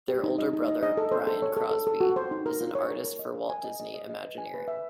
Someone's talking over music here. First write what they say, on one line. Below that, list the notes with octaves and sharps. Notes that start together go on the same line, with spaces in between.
Their older brother, Brian Crosby, is an artist for Walt Disney Imagineering.
G4
D#4
D#5
D#4
D#5
D#5
A4
C5
A4
C#5
A4
A4
A4
F#4
C5
D#4
A#4
F4
C#5
A#4
A#4
D#5
A#4
G#5
D#5
D#5
D#5
D#5
B4
G#5
B4
E5